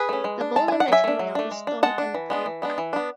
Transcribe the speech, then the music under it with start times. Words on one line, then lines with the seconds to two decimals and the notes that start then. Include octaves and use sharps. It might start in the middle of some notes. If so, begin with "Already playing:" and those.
The building material is stone and brick.
Already playing: G#4 B4
0.09 A3 C#4
0.24 G#3
0.41 D4
0.56 G#3 A5
0.68 G#5
0.72 D4
0.80 F#5
0.88 F#3 E5 G#5
1.04 A3 D4
1.19 F#3
1.35 A3 D4
1.51 G#3
1.67 D4
1.83 G#3 F#5 A5
1.98 D4
2.15 E3
2.30 G#3 B3 D4
2.46 E3
2.62 G#3 B3 D4
2.78 E3
2.93 B3 D4